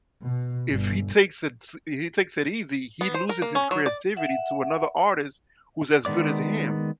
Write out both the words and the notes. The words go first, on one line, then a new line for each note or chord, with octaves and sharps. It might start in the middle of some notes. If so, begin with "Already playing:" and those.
if he takes it s he takes it easy, he loses his creativity to another artist who's as good as him.
B2
G1
B3
C5
A#4
A#3
C#4
F#3
D5
E5 F#5
D#3 G#3 B3 D5 D6